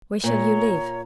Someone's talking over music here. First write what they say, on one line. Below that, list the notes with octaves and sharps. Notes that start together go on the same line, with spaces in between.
Where shall you live?'
A#2 C#5 A#5